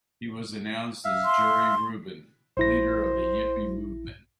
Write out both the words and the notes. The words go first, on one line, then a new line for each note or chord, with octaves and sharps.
He was announced as Jerry Rubin, Leader of the Yippie Movement.
E5 F5
C6
A#1 E4 C5 A#6